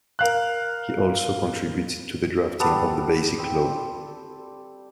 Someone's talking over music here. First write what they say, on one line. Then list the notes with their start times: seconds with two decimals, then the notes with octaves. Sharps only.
He also contributed to the drafting of the Basic Law.
0.19 A#4 F5 F#6
2.60 G3 B3 A4 D5
3.39 C4